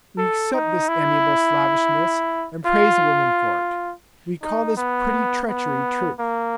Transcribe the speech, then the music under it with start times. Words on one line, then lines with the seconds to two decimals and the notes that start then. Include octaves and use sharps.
We accept this amiable slavishness, and praise a woman for it: we call this pretty treachery truth.
0.18 A4
0.54 D#4
0.88 E4
2.66 F4
4.43 D#4
4.77 B3
5.48 B3
6.19 A#3